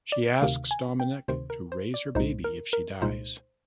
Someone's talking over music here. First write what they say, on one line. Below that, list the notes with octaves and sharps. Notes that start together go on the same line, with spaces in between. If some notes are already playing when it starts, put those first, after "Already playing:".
She asks Dominick to raise her baby if she dies.
D5
D2 C3 D#3 F5
G#5
G5
D2 C3 D#3 C5
A#4
C5
D5
C2 A#2 G#3 D#4 C5
A#4
A#4
C2 A#2 G#3 D#4 C5